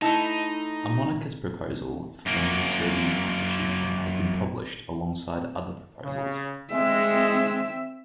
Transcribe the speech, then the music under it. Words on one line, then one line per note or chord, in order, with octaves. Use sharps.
A monarchist proposal for the new Serbian constitution has been published alongside other proposals.
A3 D#4 E4 A5
F#2 A#3
C#3
G#3 C4 E5